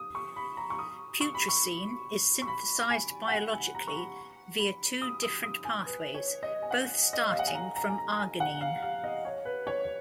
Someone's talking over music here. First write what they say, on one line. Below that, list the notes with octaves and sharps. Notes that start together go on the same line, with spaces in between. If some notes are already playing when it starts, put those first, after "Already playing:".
Putrescine is synthesized biologically via two different pathways, both starting from arginine.
Already playing: D#6
C#6
B5
A#5
C#6
D#6
C#6
B5
C#6
C#6
B5
G#5
F#5
G#5
G#5
A#5
C#6
B5
B5
D#6
D#6
D#6
G#5
B4
C#5
D#5
G#5
F#5
D#5
F5
F#5
G#5
A#5
A#5
G#5
A#5
G#5
F#5
F5
F5
D#5
C#5
B4
C#5